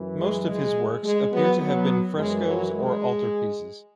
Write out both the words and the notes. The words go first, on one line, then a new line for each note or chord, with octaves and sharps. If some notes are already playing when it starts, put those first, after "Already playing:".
Most of his works appear to have been frescoes or altarpieces.
Already playing: F#2 E3
G#3
G#3
G#3
F#3 B3
F#3 B3
F#2 E3 G#3
F#3
G#3